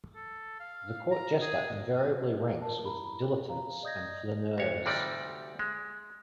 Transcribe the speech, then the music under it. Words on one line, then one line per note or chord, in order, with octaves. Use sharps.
The court jester invariably ranks with dilettantes and flaneurs.
A4
F5
A#5
G#4
A#4 A5
E4 A#5 B5
A4 C#5
G#4 F5 A#5
D5 D#5 D#6 G6 G#6 A#6
D2 C#5
D2 C3 G3 D#4 D5
G#3